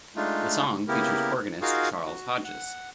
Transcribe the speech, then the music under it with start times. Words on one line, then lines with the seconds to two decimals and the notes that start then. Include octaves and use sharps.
The song features organist Charles Hodges.
0.16 G#3 A3 D4 D#4 F4
0.88 C#3 A#3 B3 E4 G4 A#4
1.62 D#4 F4 F#4 G#4 A#4 F5
2.06 F#4
2.44 F#5